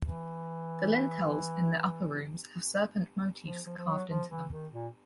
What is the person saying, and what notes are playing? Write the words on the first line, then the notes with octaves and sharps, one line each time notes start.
The lintels in the upper rooms have serpent motifs carved into them.
E3
F3
F3
F3
F#3
F3
E3
D#3
A#2